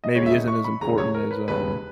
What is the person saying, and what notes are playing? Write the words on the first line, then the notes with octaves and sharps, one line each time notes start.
maybe isn't as important as, um
D#5
E1 D#2 C#3 G#3 C#5
E5
D#5
C#6
B5
E1 D#2 C#3 G#3 A#5
C#5
A#4
B4
E1 D#2 C#3 G#3 B4